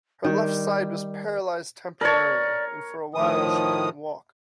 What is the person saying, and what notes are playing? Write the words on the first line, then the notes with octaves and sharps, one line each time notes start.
Her left side was paralyzed temporarily, and for a while she couldn't walk.
D#3 G3
A#4 C#5 D5
A2 D#3 F3 D#6